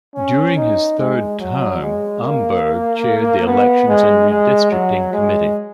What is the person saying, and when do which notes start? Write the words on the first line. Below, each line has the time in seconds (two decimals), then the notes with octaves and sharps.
During his third term, Umberg Chaired the Elections and Redistricting Committee.
0.15 C#4
0.56 D#4
0.99 G#3
1.39 F#3
1.81 G#3
2.23 A#3
3.47 B3
3.88 G#3
4.30 G#3
4.71 F#3
5.13 G#3